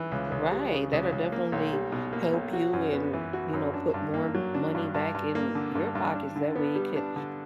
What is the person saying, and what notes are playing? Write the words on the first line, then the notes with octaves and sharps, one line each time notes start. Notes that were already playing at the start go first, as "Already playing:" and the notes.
Right, that'll definitely help you and, you know, put more money back in your pockets, that way it could
Already playing: E3
C#2
C#2
G3
C#3
C#2
C#2
A#3
B1
G3
B2
A#3
B1
F#4
F#2
B3
E3
F#4
F#2
D4
G2
A#3
F#3
D4
G2
G2
G2
A#3
D3
G2
G2
D4
D3
B3
G3
D4
D3